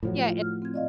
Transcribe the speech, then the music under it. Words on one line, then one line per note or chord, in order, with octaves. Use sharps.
yeah an
A2 F3 F#3
F4
F6
C4 G#6
D5 D#5 F5